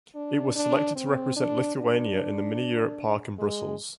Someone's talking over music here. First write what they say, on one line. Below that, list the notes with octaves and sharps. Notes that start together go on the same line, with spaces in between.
It was selected to represent Lithuania in the Mini-Europe Park in Brussels.
D4
D4
C4
D4
D4
G#3